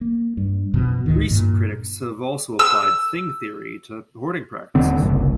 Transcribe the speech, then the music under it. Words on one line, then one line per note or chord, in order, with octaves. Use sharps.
Recent critics have also applied Thing Theory to hoarding practices.
A#3
G2
F#2 B2 F3
D2 A2 D#3
G2 A#2
E6
D#1 D3 C4
F#1 C2